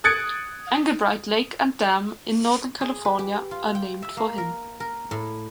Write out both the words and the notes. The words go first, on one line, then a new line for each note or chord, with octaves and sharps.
Englebright Lake and dam in Northern California are named for him.
D#6 F#6 G#6 A6 C#7 D7
G#4
B4
G4
F4
G5
E5
A#3
A#4
A#4
A2